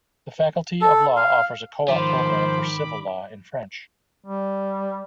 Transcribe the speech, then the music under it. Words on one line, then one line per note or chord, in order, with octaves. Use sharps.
The faculty of law offers a co-op program for civil law in French.
A4
F5
G#2 D#3 F3 C5 B5 D6
G3